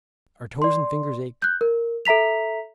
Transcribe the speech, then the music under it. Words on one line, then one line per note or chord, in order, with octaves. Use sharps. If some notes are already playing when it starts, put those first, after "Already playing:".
Our toes and fingers ached.
D5 C6
F#6 G6
A#4
A4 E5 A#5 B6 F7